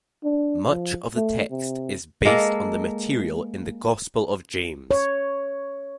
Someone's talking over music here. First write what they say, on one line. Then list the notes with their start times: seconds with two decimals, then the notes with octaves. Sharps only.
Much of the text is based on material in the Gospel of James.
0.24 D4
0.69 F3
1.16 A3
1.51 C3
2.25 G#3 A#3 A4
4.91 C#5